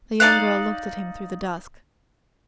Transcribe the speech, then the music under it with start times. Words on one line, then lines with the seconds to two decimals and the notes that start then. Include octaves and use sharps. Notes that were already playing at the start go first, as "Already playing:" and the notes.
The young girl looked at him through the dusk.
0.20 D#4 D5 F5 F#6